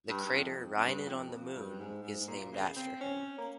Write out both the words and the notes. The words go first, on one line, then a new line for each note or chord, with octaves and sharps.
The crater Rynin on the Moon is named after him.
G2
G2
F2
F2
F2
G2
F2
F2
G2
G#2
G#2
G#2
A#2
C#3
C4
C#4
A#3